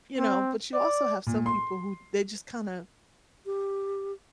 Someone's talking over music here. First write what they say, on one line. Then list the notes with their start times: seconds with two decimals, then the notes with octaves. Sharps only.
you know, but you also have some people who they just kinda
0.18 C4
0.74 D5
1.27 A#2
1.46 C6
3.46 G4